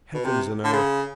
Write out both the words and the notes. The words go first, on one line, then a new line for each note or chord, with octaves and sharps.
Heavens and earth!
B2
C3
D3
C#3